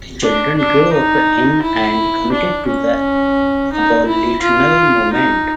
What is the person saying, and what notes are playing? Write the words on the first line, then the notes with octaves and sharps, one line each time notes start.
The children grew up in and committed to the abolitional movement.
D4
D4
D#4
E4
D4
C#4
D#4
E4
F4
D#4